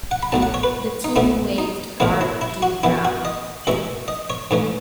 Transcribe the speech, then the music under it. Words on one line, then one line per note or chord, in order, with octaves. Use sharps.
The team waived guard Dee Brown.
F#5
B5
B1 A2 F#3 A5
F#5
C#5
B4
D#4
B1 B2 A3 C#4 E4
D#4
A1 A2 E3 G#3 B3 E4
E4
E4
F#4
F#2 E3 B3 E4
F#4
D#5
F#2 E3 G#3 C#4 E5
D#5
C#5
G#2 E3 A3 C#4